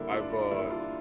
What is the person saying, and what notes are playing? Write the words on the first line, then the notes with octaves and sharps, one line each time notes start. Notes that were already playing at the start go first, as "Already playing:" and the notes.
I've, uh
Already playing: D3 G3 A#3 D4 E4
D4 F4
D4
D3 G3 A#3 E4
D4 F4